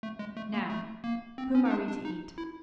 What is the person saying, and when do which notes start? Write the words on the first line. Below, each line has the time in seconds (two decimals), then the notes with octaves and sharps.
"Now, whom are we to eat?"
0.03 A3
0.19 G#3
0.37 A3
0.54 A#3
0.70 A3
1.04 A#3
1.38 C4
1.55 C#4
1.65 D#4
1.71 D4
1.88 D4
2.05 D#4
2.38 E4